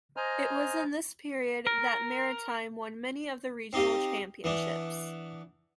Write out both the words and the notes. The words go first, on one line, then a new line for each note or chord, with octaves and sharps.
It was in this period that Maritime won many of the Regional Championships.
C5 D#5 G#5 A#5 F6
A#4
C4 D#4 G4 D#5 F5
E3 B3 D4